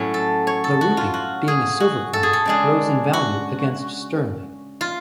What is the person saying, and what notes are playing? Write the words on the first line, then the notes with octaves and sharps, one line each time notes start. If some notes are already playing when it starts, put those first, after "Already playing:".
The rupee, being a silver coin, rose in value against sterling.
Already playing: A2 F#3 C#4
A4
C#5
A4
F#4
F4
F#4
G#4
F#4
A4
G#4
A4
C#3 G#3 D4 G#4
F#4
F4